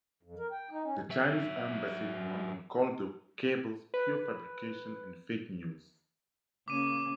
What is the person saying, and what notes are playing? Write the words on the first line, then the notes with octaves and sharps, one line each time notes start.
The Chinese embassy in London called the cables "pure fabrication" and "fake news".
F2
A#4
G5
D#4
C#4
F#3 E5
B4
C#3 A#3 C#4 D6 D#7